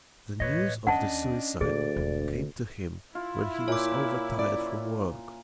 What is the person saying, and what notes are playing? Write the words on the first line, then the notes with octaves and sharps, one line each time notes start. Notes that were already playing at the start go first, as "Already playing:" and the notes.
The news of the suicide came to him when he was overtired from work.
E2 A2 B4 C#5 D#5
D#2 C#4 D4 D#5 F#5 A5
D2 A#2 G#4 D5
E1
E4 F4
A#2 C#5 E5 D6
C#4 D5